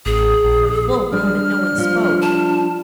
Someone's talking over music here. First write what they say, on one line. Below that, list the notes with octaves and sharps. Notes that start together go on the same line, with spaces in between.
For a full moment no one spoke.
A1 G#4
A#1
G3 D4 F6
F3 G3
A5